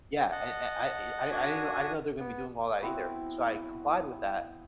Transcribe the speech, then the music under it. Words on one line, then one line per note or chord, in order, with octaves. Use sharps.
yeah, I I I I didn't know I didn't know they're gonna be doing all that either. So I complied with that,
D#5 F#5 A5
D4 F#4 G#5 D#6
B3
B3 C4 E4 F#4